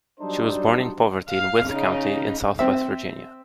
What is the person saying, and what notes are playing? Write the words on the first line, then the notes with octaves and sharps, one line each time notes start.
She was born in poverty in Wythe County in southwest Virginia.
F#3 G3 D4 D#4 A4 C5
F5
C#3 D#4
C4 E5